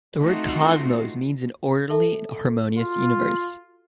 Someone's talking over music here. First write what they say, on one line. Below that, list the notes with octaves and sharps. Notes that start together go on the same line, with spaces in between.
The word "cosmos" means an orderly and harmonious universe.
A3 C4 D#4 F4 F#4
A4 E5 A5
F4 F#4